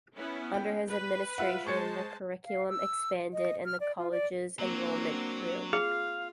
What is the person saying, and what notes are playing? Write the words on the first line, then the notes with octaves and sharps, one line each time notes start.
Under his administration, the curriculum expanded and the college's enrollment grew.
B3 C#4 E4
G5
B4
F4 E5 F#5
G#3 C5 A5 C#6 G#6 C#7
F5
E6
D#5
F6
D5
F4
D5
F#3 A#3 C4 D4
F4 G#4 F5